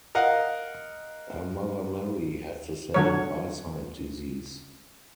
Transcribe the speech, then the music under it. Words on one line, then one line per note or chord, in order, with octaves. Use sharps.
Her mother Mary had the same eyesight disease.
A#4 D#5 F5 F#5
D3 F#3 C#5